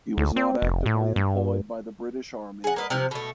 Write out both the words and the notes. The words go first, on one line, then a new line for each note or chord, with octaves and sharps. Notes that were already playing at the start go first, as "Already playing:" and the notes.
He was not actively employed by the British Army again.
D2
C4
F1
A2
G2
G#4 F#5
A#3 B4 D#5
C3 F3
B2 A3